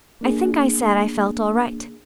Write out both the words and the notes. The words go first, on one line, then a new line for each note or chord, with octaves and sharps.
I think I said I felt all right.
A#3 D4 G#4